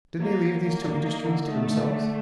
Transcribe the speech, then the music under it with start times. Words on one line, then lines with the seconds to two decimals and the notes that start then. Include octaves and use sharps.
Did they leave these two industries to themselves?
0.19 F#3 A#3
0.40 F#3
0.61 F#3 A#3
0.82 D4
1.04 D#4
1.26 D3
1.46 A3 D#4
1.67 D3
1.90 D4